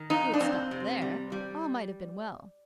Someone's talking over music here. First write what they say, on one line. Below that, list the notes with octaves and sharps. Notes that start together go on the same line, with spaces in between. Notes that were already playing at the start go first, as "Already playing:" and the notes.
If you had stopped there, all might have been well.
Already playing: D#3
F2 D#4
D4
F2 C4
C3
G3
G3